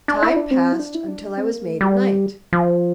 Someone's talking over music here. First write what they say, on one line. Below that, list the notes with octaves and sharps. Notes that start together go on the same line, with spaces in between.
Time passed until I was made a knight.
D4
E4
D4
C4
E4
D4
E4
D4
C4
A#3
A3
G3
F3